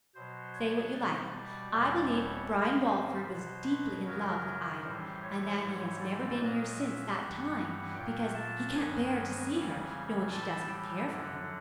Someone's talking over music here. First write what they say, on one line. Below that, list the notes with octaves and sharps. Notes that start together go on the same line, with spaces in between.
'Say what you like, I believe Brian Walford was deeply in love with Ida, and that he has never been here since that time, because he can't bear to see her, knowing she doesn't care for him.'
B2 F#3 C5
C#5
B2 G3 D5
E2 B2 G3
C#5
G#2 D#3 G3 C5
B2 F#3
B4
F#2 C#3 F#3 A#4
A2 E3 G3 C5
C#5
G#2 E3 G3 C#5
D5
A#2 F#3 D#5
E5
G2 E3 G3 F#5
A#2 F#3 G5
A5
G2 D#3 F#3 G#5
F2 C#3 E3 G3 G#5
A2 E3 G3 A5
G5
F#2 D3 F#3 F#5